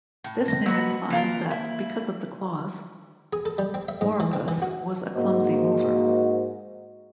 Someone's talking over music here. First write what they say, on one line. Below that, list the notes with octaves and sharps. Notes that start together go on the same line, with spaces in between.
This name implies that because of the claws, "Moropus" was a clumsy mover.
A2
A#6
F#3 A#3 F#4 B4
E3 F4 A#4
E4
G#4
A4
G3
C4
E5
G#2
E3
C4
E3
F#4
G#2 A#3 F#4 C5 D#5